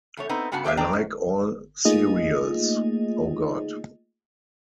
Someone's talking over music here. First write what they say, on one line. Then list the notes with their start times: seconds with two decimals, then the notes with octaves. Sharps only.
I like all cereals... Oh, God.
0.17 E2 A3 C#5
0.29 B3 C4 D#4
0.52 G2 C#3 B3 F#4 F#5 A5
0.64 A3 G4 D5 E5 F5
0.77 D#3 A#3 D4 D5 G5 A#5
0.93 F#2
1.85 A3 A#3 D#4 F4 G#4 D#5